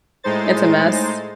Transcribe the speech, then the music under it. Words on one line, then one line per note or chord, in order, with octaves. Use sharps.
It's a mess.
A2 G#3 D#4 C5 A6